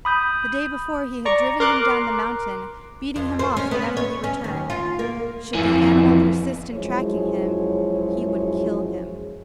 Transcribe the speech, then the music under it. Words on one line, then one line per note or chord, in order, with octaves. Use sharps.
The day before he had driven him down the mountain, beating him off whenever he returned. Should the animal persist in tracking him, he would kill him.
B5 D#6 G6
D5 A#5 C#6
A#4 C6 D6 F#6
F2
C5
C#4
B3
C#5
C#4
D#2
F4
A#3
F2 E3
F#2 F3 G#3 E4 G#4 C#5